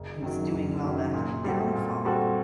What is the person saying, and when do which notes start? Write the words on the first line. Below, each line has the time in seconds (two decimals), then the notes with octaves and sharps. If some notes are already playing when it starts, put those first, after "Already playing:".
who's doing well to have a downfall."
Already playing: F#1
0.22 F#2 D#3 F#3
0.53 F#1
0.84 F#2 D#3 F#3
1.14 A#2
1.44 G3 C4 F#4 A4
1.75 A#2
2.05 G3 C4 F#4 A4